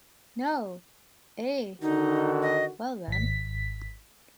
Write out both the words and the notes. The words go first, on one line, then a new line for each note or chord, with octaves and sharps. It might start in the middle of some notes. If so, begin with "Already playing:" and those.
No! Eh! Well then?
D3 D#3 D#4 F#4
D#5
G#1 B6